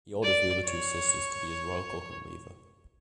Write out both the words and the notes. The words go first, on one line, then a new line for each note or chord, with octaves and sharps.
He orders the other two sisters to be his royal cook and weaver.
D5
C#5